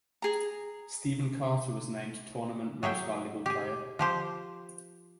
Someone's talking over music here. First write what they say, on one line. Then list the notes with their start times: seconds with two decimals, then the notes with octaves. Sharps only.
Steven Carter was named Tournament Most Valuable Player.
0.22 G#4 A#5
2.83 F#3 G#4 E5 G5
3.46 G4 G#4
3.99 F3 G4 C5